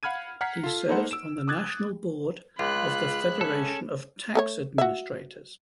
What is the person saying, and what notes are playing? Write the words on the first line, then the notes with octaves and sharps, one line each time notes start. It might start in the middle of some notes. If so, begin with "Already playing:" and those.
He serves on the national board of the Federation of Tax Administrators.
F5 F#5 B5 F6 G#6 D#7
F#5 A#5 F6 G#6 B6 C7
F4 A4
A#3 D#4 A4 B4 C5 F#5
E6 D7 E7
D6 D#6 F#6 G#6 A6
C#2 F4 G#4 B5 F#6
C#4 A4
A3 A4 C#5
F#4 E5